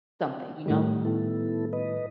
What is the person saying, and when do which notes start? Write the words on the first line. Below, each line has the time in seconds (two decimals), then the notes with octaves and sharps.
something, you know?
0.66 A2 D#3 G3
1.05 B3 E4 A4
1.73 B4 D#5